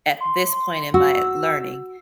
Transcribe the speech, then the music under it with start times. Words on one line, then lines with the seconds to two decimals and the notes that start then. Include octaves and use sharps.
at this point in my learning,
0.21 C6
0.94 F#4 E6